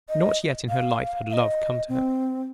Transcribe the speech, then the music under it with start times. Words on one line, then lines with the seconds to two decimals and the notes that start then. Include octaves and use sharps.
Not yet in her life had love come to her.
0.09 D#5
0.69 F5
1.29 F5
1.33 D#5
1.89 C4